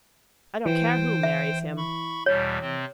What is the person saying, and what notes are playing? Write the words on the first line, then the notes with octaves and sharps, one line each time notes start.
I don't care who marries him.
E3 C5 G5
E5
B5 C#6
E2 B2 G3 C#5
C3 C4